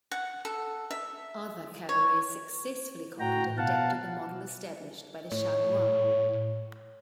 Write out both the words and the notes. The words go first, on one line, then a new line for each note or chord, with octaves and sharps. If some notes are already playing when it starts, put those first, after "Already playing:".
Other cabarets successfully copied and adapted the model established by the Chat Noir.
F#5
A4
E5
C#5
A2 F#4 G5 A#5
B2 F5 F#5 A5
A2 C#5